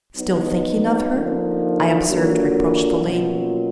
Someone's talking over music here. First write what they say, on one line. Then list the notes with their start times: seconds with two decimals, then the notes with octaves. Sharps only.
"Still thinking of her?" I observed reproachfully.
0.16 F#3 B3 D#4
1.12 D3 F3 A#3 D#4
2.06 D3 F#3 A#3 D4 F4
3.01 B2 F#3 A#3 C#4 F4